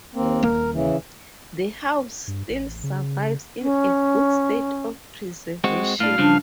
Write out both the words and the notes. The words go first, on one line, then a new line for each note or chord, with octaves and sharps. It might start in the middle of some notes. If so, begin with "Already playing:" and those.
The house still survives in a good state of preservation.
D#2 A#3 C4
D#1 A#3 A#4
C#3 E3
G2
A1
C#3
C#4
G#3 C4 F#4
A2 D4 F5
G2 C#3 F3 D4